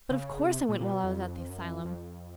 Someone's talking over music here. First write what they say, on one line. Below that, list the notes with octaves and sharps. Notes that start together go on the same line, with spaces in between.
But of course I went while I was at the asylum.
C#3
C3
A#2
A#2
B2
F2
F#2
F2
F2